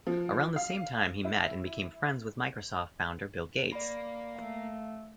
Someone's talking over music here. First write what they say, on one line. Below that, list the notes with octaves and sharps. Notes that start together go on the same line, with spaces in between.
Around the same time he met and became friends with Microsoft founder Bill Gates.
F3
F5
E4
A#3 D5 B5
A3 F5